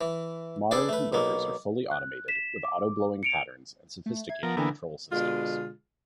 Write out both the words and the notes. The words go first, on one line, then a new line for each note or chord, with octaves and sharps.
Modern converters are fully automated with auto blowing patterns and sophisticated control systems.
E3
D4 G#4 A4 B4 D5
A3 B4
B1 B2 A#3
F#6
B6 E7
D6
C#7 D7 F7
A3
E5 G#6
F3 B3 A#4
D3 E3 A#3 B3 D4 G5 G#5
B2 D3 G#3 F4